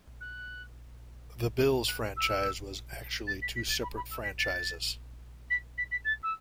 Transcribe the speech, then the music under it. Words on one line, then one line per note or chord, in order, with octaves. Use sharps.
The Bills franchise was actually two separate franchises.
F#6
F#6
E6
A6
B6
B6
A6
B5
B5
E6
B6
A6
B6
B6
B6
A6
E6